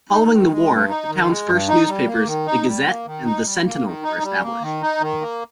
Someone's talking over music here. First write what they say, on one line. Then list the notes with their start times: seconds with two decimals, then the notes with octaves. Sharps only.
Following the war, the town's first newspapers, "The Gazette" and "The Centinel", were established.
0.11 D#4
0.31 D#3
0.51 G#3
0.70 G2
0.89 D#4
1.09 D#3
1.29 G#3
1.48 G2
1.68 D#4
1.88 G3
2.07 A#3
2.26 D#3
2.46 D#4
2.66 G3
2.86 A#3
3.06 D#3
3.25 D#4
3.44 G3
3.64 A#3
3.83 D#3
4.03 D#4
4.23 G3
4.42 A#3
4.61 D#3
4.82 D#4
5.01 D#3
5.21 A#3